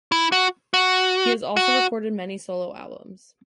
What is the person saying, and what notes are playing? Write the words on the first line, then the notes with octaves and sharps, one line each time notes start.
He has also recorded many solo albums.
E4
F#4
F#4
F#4